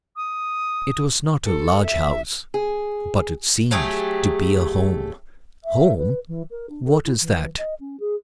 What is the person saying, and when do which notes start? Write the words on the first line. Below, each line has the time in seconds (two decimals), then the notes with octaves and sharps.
It was not a large house, but it seemed to be a home. Home!--what is that?
0.16 D#6
1.46 A4
1.85 E5
2.54 G#4
3.71 F#3 A3 G4 G#4
5.64 E5
5.97 B4
6.28 E3
6.51 A#4
6.70 D4
6.86 A4
7.05 E4
7.21 E3
7.58 D#5
7.80 C#4
8.00 G#4